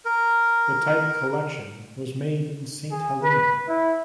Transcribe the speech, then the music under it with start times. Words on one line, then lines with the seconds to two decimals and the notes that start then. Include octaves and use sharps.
The type collection was made in Saint Helena.
0.05 A#4
2.91 G#4
3.23 B4
3.68 E4